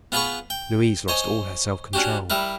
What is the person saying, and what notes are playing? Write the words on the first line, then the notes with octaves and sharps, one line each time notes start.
Louise lost all her self-control.
B3 F4 G#4 B4 B5 C#6
G5
C5 C#5 D#5 G#5
C#4 D4 F#4 G4
G3 E4 A#4 B4